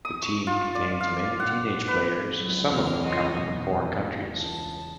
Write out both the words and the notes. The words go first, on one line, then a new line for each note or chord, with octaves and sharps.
The team contains many teenage players, some of them coming from foreign countries.
D#6
C#6
F4
D5
F5
F#5
B4
C#2 F#3
E2 C4 A#5 F6
F4 F#4 D#5 F#5
B2
A1
C#2 A5